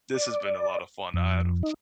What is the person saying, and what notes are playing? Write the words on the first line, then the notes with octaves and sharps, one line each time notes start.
This has been a lot of fun, I I don't
D5
F2
D#4